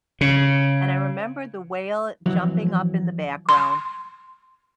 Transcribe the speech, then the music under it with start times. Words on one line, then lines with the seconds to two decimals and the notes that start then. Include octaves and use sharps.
and I remember the whale jumping up in the background
0.21 C#3
2.26 F2 E3 F#3
3.49 C6